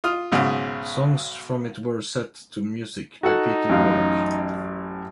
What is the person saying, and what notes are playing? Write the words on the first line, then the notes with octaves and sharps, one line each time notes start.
Songs from it were set to music by Peter Warlock.
F4 D#6 F6
B1 G#2 C#3
D#4 F#4 A4 F#5
A1 F#2 F5